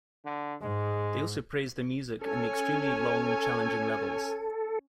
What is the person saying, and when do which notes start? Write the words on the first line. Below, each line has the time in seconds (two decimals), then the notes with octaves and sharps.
They also praised the music and the extremely long, challenging levels.
0.25 D3
0.62 G#2 G#3
2.21 C#4 A4 C#5 G#5